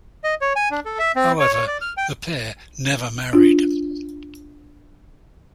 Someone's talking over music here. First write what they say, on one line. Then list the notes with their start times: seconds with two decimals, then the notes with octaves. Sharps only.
However, the pair never married.
0.24 D#5
0.41 C#5
0.56 G#5
0.71 D4
0.86 A4
0.99 E5
1.16 C4
1.40 C#5
1.53 C#5
1.67 D5
1.81 F6
1.97 G5
3.33 D4 F4